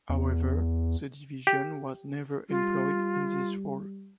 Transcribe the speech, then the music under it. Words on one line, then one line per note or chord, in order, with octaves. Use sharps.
However, the division was never employed in this role.
E2
G4
G3 F4